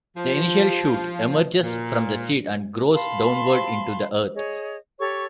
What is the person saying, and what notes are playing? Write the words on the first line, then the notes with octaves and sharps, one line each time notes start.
The initial shoot emerges from the seed and grows downward into the earth.
F3
A#2
F5 A5 B5 C6
G#4 C#5 D#5
G4 A4 C#5 C#6